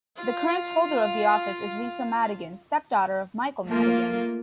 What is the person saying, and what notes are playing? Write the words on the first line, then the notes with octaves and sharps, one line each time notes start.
The current holder of the office is Lisa Madigan, step-daughter of Michael Madigan.
F4 F5
A3 A#3 F4